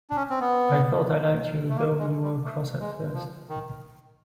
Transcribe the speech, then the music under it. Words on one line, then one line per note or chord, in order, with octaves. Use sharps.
I thought I liked you, though you were cross at first.
D4
C#4
C4
B3
A3
A#3
G#3
G3
A3
G#3
F3
D#3